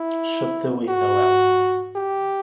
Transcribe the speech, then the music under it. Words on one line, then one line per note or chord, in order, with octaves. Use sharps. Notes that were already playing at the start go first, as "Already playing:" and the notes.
Shut the window, Ellen!
Already playing: E4
F#4
G4